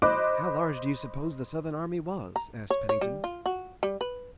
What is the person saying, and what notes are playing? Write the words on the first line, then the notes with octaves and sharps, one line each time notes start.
"How large do you suppose the Southern army was?" asked Pennington.
C5 D#5 B5 D6 F#6
A#5
C#5
C#5
G3
F4
F#4
G3
B4